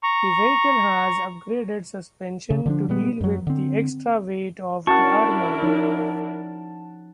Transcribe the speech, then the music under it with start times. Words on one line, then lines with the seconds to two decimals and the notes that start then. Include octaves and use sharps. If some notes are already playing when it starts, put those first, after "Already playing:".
The vehicle has upgraded suspension to deal with the extra weight of the armour.
0.03 A#5 C#6
2.50 C#3
2.66 D3 F3 D4
2.89 A#2 G3 G#3 B3
3.21 F#2 F#3
3.47 D3 C4
4.87 C#4 D4 E4 F#4 A#4 F#5 A5 C#6
5.62 F3 D#4 C#5